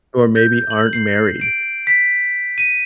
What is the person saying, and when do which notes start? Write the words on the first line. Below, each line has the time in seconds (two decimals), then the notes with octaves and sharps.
or maybe aren't married.
0.36 G6
0.71 F#7
0.93 C7
1.41 D7
1.87 B6
2.58 D#7